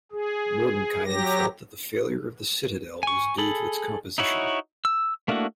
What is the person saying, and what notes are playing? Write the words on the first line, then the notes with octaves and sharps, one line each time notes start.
Mordenkainen felt that the failure of the Citadel was due to its composition.
G#4
F#3 G4 A#6
G#5 C#6
G#4 A4 B5
D#4 E4 F#4 C#5
E6
A3 A#3 D4 E4 F#4